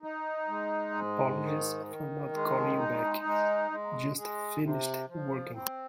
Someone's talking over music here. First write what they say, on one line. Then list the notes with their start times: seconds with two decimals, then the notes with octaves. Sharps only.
Apologies for not calling you back. Just finished working.
0.02 D#4
0.48 G#3
0.94 G#2
1.41 D#3
1.86 D#3
2.33 G#3
2.78 D#4
3.25 G#3
3.71 G#3
4.16 G#3
4.62 C3
5.08 F3
5.54 C4